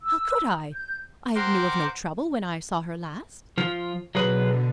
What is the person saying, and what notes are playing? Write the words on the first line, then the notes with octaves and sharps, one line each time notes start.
"How could I? I knew of no trouble when I saw her last."
E6
G6
A#4 C5 F#5 G5 C6 D6
F3 F4
B2 D3 F#3 G#4 B4